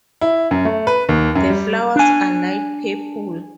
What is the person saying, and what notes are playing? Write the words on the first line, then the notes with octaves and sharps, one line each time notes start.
The flowers are light purple.
E4
F#2
A3
B4
D#2
F#2
G3
D4 G#5